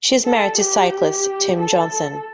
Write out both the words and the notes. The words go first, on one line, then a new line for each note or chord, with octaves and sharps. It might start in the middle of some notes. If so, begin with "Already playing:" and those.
She is married to cyclist Tim Johnson.
A4
G4
A4